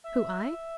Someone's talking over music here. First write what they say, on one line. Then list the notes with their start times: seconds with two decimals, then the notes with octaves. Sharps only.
"Who, I?"
0.04 E5